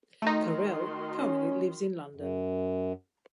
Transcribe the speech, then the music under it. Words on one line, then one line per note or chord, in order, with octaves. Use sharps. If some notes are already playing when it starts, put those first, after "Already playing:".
Carrel currently lives in London.
D#3 A3 D#4 F#4 C6
C#4
F#2